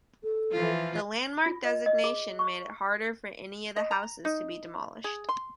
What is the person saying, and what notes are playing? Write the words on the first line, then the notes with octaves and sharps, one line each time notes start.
The landmark designation made it harder for any of the houses to be demolished.
A4
E3 F3 F4
F4
D#5
D#5
G#4
C#6
D#5
A#5
D#4
G#4
C6